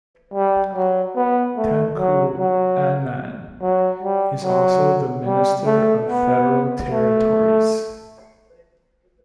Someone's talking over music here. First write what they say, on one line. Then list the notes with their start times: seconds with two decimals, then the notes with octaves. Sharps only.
Tengku Adnan is also the Minister of Federal Territories.
0.34 G3
0.75 F#3
1.16 B3
1.57 A3
1.98 F#3
2.39 F#3
3.62 F#3
4.03 G3
4.44 F#3
5.25 G3
5.66 A3
6.07 B3
6.90 A3